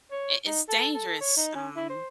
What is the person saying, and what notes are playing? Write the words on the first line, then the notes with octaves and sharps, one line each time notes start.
I it's dangerous um,
C#5
D#4
A4
A4
C#5
D#4
C#4
E4
C5